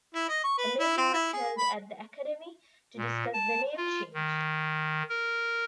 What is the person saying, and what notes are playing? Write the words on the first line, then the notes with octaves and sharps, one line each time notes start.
A meeting was held at the Academy to discuss the name change.
E4
D#5
C#6
B4
E4
C4
E4
G#4
B5
A#2
A5
F4
D#3
A#4